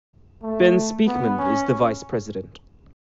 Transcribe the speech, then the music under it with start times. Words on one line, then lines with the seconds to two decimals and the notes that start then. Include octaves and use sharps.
Ben Speakmon is the vice-president.
0.43 A3
1.07 B3
1.39 C#4